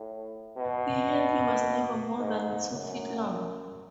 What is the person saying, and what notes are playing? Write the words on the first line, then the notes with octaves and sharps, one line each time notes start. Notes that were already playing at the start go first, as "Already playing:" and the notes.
The handle was never more than two feet long.
Already playing: A2
B2
G#2
F#2